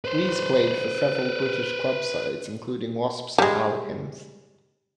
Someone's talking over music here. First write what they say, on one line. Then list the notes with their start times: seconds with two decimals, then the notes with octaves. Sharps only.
Rees played for several British club sides, including Wasps and Harlequins.
0.05 B4 C5
3.38 G3 G#3